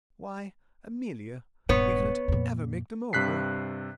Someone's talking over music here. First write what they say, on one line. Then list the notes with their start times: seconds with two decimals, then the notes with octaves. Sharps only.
"Why, Amelia, we couldn't ever make them over!"
1.69 D#1 G2 B3 C#5
2.28 F2 A#2
3.13 G2 C3 F#6 B6 C7